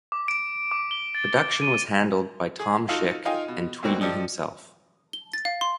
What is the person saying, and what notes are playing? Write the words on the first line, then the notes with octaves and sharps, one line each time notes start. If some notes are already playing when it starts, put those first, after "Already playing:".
Production was handled by Tom Schick and Tweedy himself.
D6
D7
D6
G7
A6
D#7
G#4
D#4 F4 F#4 A4 F5
D#4 F4 D#5 F5 G5 G#5
B2
D2 B2 A#3 C4 F#4
F3 G4 A4 D5 D#5
G7
A6
F5
C6